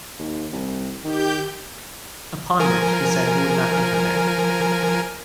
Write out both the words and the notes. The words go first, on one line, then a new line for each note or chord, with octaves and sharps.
Upon which he said he would not enter there.
D#2
C2
D#3 G4 G6
F3 A#4 G#5